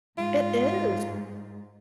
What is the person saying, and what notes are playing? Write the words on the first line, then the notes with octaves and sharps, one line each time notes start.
It is.
G#2 F4